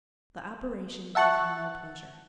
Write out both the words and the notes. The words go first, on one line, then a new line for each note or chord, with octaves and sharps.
The operation gave him no pleasure.
E5 F#5 A5 C#6 F#6